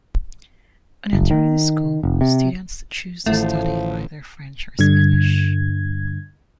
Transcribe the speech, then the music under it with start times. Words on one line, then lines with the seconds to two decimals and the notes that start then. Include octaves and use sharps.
On entering the school students choose to study either French or Spanish.
1.13 F#1
1.31 D#3
2.03 F1
2.21 C3
3.26 A1 D#3 F3 A3 E4 A4
4.79 G2 D3 G#6